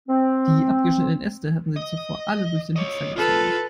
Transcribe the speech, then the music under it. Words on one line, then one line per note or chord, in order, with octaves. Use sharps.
Die abgeschnittenen Äste hatten sie zuvor alle durch den Häcksler gezogen.
C4
D#5
C#5 D#5
F4 A4 B4